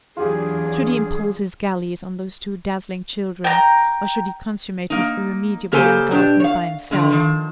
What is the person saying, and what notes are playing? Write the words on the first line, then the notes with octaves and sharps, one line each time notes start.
Should he impose his galleys on those two dazzling children, or should he consummate his irremediable engulfment by himself?
E2 F#3 D4 F4 G4 G#4
G5 A#5
A#3 D#4
C#3 A#3 G4 A4 C5 G#5
B2 D4 G4
C#5 F5
D3 F3
D#3 F3